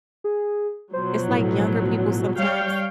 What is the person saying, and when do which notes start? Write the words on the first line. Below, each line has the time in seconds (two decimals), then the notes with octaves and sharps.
It's like younger people sometimes
0.24 G#4
0.93 B2 F3 F#3 C5
1.28 A2
2.38 G3 C#5 F5 G5